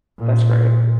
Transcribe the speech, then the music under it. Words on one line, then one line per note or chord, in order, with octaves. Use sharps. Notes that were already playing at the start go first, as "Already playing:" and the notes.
That's great.
A#2